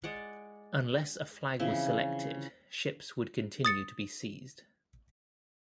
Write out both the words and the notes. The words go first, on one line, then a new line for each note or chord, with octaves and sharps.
Unless a flag was selected, ships would continue to be seized.
G#3 D5 F#5
C#3 E3 F3 C4
D#6 A6 C#7